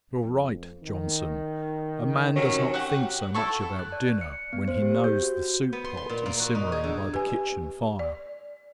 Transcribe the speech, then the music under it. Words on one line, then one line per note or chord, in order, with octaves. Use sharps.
"You're right, Johnson; a man does not think so much about dinner when he knows the soup-pot is simmering by the kitchen-fire."
F2
D#3
C3 D#3 F#3 C#4
F#4 G4 F#5
E4 A4 C#6
F#6
D5
C#7
B3
C5
G4
G6
F#4
B3
C6
C6
A#2
A#3
F#4
D#4
G#4
D3
G4 B4 G#5
D5